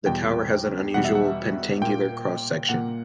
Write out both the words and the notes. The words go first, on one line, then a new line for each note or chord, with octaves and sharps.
The tower has an unusual pentangular cross section.
E2 B2 G3 G5
E2 B2 G3 F#5
E5
F#5
A#2 A#3 G5
A#2 A#3 F#5